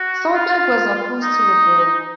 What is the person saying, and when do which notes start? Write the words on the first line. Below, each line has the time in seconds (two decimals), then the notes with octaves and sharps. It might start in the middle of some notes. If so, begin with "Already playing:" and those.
Solberg was opposed to the bill.
Already playing: F#4
0.34 F4
1.22 D#4